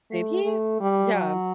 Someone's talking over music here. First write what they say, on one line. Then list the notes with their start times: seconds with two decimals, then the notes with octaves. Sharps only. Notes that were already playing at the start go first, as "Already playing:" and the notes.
Did he? Yeah.
0.11 A3
0.44 A3
0.80 G3
1.14 F#3